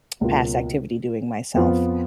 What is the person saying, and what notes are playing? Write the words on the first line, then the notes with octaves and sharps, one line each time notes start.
past activity doing myself,
C#2 B2 F#3 A#3 F4
F2 F3 B3 F4